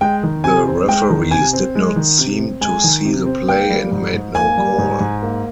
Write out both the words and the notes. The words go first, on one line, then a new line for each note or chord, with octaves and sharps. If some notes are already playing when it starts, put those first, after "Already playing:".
The referees did not seem to see the play and made no call.
G#3 G5
D#3
C3 G#5
C4
G#3 G5
D#3
C3 G#5
C4
G#3
D#3
C3
C4
G#3 G#5
D#3
C3
C4
A#3 G5
G3
G#2
G#2
A#3 G#5
G3
G#2
G#2
A#3